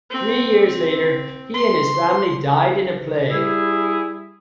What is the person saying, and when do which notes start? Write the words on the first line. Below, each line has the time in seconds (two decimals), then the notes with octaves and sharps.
Three years later, he and his family died in a plague.
0.10 C4
0.66 C4
1.54 C6
3.31 G3 E4 G#4